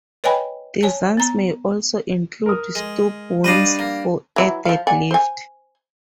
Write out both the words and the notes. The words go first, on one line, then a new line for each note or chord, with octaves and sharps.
Designs may also include stub wings for added lift.
B4 C#5 D#5 G5 G#5 B5
C#5 G#5 A5
B3 A#5
A#4 D#6
G#3
G3 D4 B4 D#5 F5
A#3
E3 F#3 E4
F3 F5
D5 F#5 G#5
C5 G#5